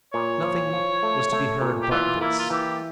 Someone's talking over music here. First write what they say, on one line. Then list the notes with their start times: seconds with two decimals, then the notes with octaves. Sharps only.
Nothing was to be heard but this.
0.13 A#2 C#5
0.43 F3
0.73 F3
1.03 A3
1.32 A3
1.61 A#2
1.82 G4
1.91 E3 F4
2.21 A#3 E4
2.39 F4
2.50 E3 G4